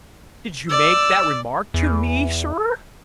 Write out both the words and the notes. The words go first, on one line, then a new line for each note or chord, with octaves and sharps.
Did you make that remark to me, sir?'
D5 E6
E2